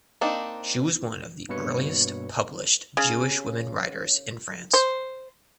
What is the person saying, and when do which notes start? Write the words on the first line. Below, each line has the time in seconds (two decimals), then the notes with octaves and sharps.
She was one of the earliest published Jewish women writers in France.
0.21 A#3 C4 D4 D#4
1.49 G2 B2 A#3 B4 C#5 C#7
2.97 C#3
4.74 C5